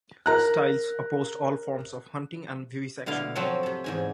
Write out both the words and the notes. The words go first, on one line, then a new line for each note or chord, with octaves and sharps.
Styles opposed all forms of hunting and vivisection.
A#4 A#5 F#6
B2 D3 E4 F5
F3 F#3 A3 C4 F#4 C#5
C3 A4
E2 G#2 G#5